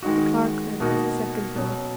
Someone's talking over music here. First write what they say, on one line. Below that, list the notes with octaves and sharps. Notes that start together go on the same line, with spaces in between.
The Clerk read the second bill.
D#3 G#3 D#4 F#4
B2 A#3 D#4 F#4
B2 F#3 C#4